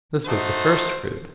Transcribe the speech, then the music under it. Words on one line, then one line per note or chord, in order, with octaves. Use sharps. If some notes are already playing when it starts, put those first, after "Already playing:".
This was the first fruit.
A3 D#4 F#4 C5